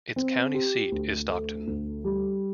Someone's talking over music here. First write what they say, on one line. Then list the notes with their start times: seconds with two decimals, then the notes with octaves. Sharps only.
Its county seat is Stockton.
0.16 C4
0.54 G4
0.91 D2
1.29 A3
1.67 D2
2.04 G3